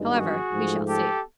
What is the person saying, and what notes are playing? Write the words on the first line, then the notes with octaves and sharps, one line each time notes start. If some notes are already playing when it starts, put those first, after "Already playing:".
However, we shall see.'
Already playing: G#1 G2 D#3 G#3
F#4 G#4
G#2 F3 A3
G4 A4